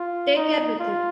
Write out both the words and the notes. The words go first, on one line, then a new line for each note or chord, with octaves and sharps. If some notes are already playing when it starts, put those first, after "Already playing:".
Take care with it.
Already playing: F4
D#4
F4